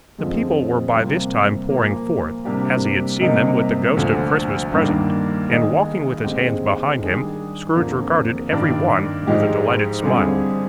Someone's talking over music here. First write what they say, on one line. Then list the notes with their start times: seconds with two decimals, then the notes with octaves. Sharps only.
The people were by this time pouring forth, as he had seen them with the Ghost of Christmas Present; and, walking with his hands behind him, Scrooge regarded every one with a delighted smile.
0.18 F2 D3 F3 G#3 C4
0.94 C3 G3 A#3 F4
1.69 A#2 F3 A#3
2.45 C3 G3 A#3 D4 G4
3.21 C3 G3 A#3 D#4
3.97 D2 D3 F3
4.73 G2 D#3 A#3 D4
5.48 D#3 G#3 D#4 G#4
6.24 D#2 D3 G#3 C4 G4
7.00 D#3 G3 D4 G#4
7.75 F2 D3 F3 A#3
8.51 G2 D#3 G3 D4
9.27 G#2 F3 G#3 D#4 G4
10.02 D3 G3 C4 F4 G#4